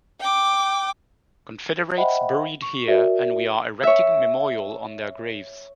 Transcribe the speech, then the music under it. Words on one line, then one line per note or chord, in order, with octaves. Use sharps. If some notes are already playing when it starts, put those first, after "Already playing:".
Confederates buried here and we are erecting memorial on their graves.
G5 D6
C5 D#5 E5 F#5 G5 B5
C#6
F#4 A#4 D5 E5
C#5 E5